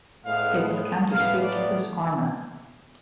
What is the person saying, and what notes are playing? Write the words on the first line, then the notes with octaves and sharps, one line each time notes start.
Its county seat is Armour.
A2 G#3 B3 F5
A2 F#3 B3 F5
D5